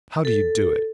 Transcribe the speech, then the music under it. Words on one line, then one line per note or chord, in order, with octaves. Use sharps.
How do you do it?
A4